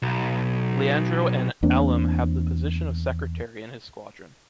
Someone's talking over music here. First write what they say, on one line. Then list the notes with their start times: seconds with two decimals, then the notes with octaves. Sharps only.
Leandro N. Alem had the position of secretary in his squadron.
0.02 B1
1.63 E2 A#3 C4 D4